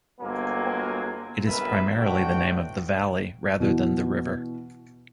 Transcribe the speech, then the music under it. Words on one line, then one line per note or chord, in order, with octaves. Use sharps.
It is primarily the name of the valley rather than the river.
G1 F#3 A#3 C4 G#5
G1 C#2 A#4 B4 E5
A1 D4 F#4 G5
B2 E3